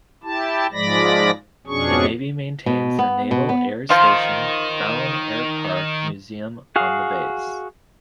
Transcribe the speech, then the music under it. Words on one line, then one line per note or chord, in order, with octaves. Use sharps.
The navy maintains the Naval Air Station Fallon Air Park museum on the base.
E4 G4 A5
G#2 F3 G#3 D5 B5 A#6
F2 B2 C#4 D4 G#4 C#6
B2
B3
B2
B3
D#3 F3 D#4 F4
F#4 G#4 F5